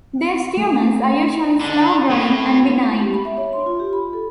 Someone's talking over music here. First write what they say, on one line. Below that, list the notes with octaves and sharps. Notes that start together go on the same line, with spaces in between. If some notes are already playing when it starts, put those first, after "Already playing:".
These tumors are usually slow growing and benign.
A3
D3
A2
G4
B5
E5
C#5
C6
F4
G4
B5
A4